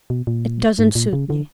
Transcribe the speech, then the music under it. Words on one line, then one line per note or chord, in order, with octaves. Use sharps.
It doesn't suit me.
B2
A#2
G#2
A#2
C#3
D3